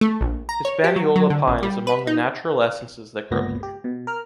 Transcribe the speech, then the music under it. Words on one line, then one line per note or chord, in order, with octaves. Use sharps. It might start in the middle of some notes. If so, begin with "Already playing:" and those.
Hispaniola pine is among the natural essences that grow here.
A3
A#1
A#5
C#5
G4
F#3
F#3
D3
A1
G3
B4
D#4
G1 C#2 A#2 B3 A#6
G4
B2
A#4 F6